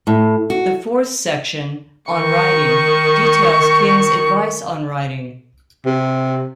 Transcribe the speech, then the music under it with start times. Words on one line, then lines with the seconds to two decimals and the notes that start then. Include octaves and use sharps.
The fourth section, "On Writing", details King's advice on writing.
0.07 A2
0.50 F#4
2.11 D#3 C#6
5.86 C3